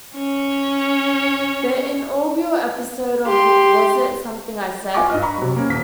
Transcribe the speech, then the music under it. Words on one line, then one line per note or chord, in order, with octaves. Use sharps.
The inaugural episode of Was It Something I Said?
C#4 C#5
G4 C6
F4 G#5 C#6 D6
G2 D#5 F6
A#5 B5 C#6
C3 F#3
A#3 C#4
D#1 B6